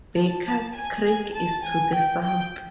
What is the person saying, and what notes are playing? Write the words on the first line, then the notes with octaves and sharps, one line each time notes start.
Baker Creek is to the south.
A5
A5
G#5
G#5
A5
G#5
G5
G5